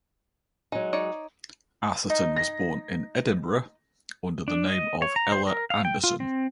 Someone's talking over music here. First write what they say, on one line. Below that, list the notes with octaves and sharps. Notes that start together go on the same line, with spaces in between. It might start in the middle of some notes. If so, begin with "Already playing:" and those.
Atherton was born in Edinburgh under the name of Ella Anderson.
F#3 G#3 D#4
D#4 C#5 D5
D#4
A#6
D4
D#5
C#5
A#5
C5
A#4
F5
G5
F4
C4